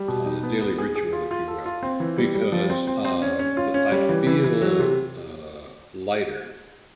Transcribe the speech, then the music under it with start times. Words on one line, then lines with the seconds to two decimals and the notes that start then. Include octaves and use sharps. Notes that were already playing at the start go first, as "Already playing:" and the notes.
uh, daily ritual, if you will, because, uh, the I feel, uh, lighter.
Already playing: G3
0.08 B2
0.26 D#4
0.43 B3
0.61 B3
0.78 G#4
0.95 G#4
1.13 F4
1.31 F4
1.48 A4
1.66 F4
1.83 C4
2.00 E3
2.18 G3
2.35 G3
2.52 F3
2.70 C4
2.87 C4
3.05 C4
3.22 C#4
3.39 C#4
3.57 F4
3.74 C#4
3.92 G3
4.09 E3
4.27 E3
4.44 E3
4.61 F#3
4.79 C3